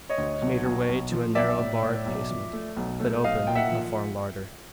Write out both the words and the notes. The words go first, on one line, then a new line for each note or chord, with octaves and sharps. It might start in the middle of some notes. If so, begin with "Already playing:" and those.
She made her way to a narrow barred casement that opened into the farm larder.
C#5 D#5
D2
B1
B1
B1
F3
B1 D5 E5
A2
A2
B1
F3
A3
B1
A3
B1 D#5 F5
A#2 G5
E5 F#5
F3